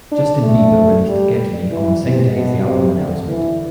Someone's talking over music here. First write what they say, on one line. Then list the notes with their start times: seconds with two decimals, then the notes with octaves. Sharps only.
Justin Bieber released "Get Me" on the same day as the album announcement.
0.11 D4
0.43 A3
1.06 G3
1.70 E3
2.02 C3
2.33 B2
2.64 C3
2.96 D3
3.27 E3